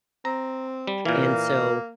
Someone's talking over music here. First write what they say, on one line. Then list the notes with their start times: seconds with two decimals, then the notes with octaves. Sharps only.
and so,
0.25 C4 A#5
0.87 G3
1.05 A#2 E3 A#3